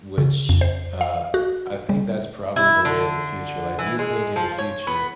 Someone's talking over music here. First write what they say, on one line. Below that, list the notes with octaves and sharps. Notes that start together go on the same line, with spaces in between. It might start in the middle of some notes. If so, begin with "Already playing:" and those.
which, uh, I think that's probably the way of the future, like, do you think in the future
C#3
F2
C5
F5
F#4
G3
E4
D3
E3
G#3
F3
C#5
B3